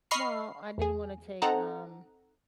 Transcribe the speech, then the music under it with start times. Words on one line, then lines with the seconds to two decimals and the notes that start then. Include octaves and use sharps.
Well, I didn't wanna take, um,
0.11 D#5 B5 C#6 F6 C7
0.78 E2 G#4
1.42 C4 D#4 A4 F#5 A#5